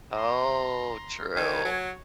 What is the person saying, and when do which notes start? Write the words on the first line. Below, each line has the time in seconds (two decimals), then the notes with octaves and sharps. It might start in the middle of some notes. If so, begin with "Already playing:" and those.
Oh, true.
0.12 A#5 C6
1.36 D#3 F#4 C#5 G#5
1.65 F#3